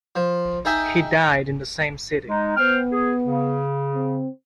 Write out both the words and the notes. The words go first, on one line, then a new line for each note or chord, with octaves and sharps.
He died in the same city.
F3
D#4 G#4 E5 G5 G#5
G#3 D#4
B3 C5 G5 F6
G#4
C#3
C4